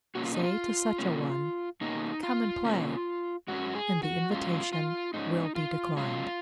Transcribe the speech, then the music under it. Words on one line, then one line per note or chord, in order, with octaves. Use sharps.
Say to such a one, "Come and play," and the invitation will be declined.
B2 A#3 C#4 F#4
F4
D#4
F4
B2 A#3 C#4
B2 A#3 C#4 D#4
F4
B2 A#3 C#4
G#2 F#3 C#4 F#4
G#4
F#4
G#2 F#3 C#4 F4
F4
G#2 F#3 C#4 D#4
F4
G#2 F#3 C#4 F4